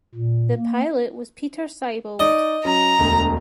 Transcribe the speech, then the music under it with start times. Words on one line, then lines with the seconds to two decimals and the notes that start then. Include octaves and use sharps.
The pilot was Peter Siebold.
0.15 A#2
0.56 A#3
2.19 D#4 D5 D#5
2.65 F#3 C#4 A#5
2.99 E1 D2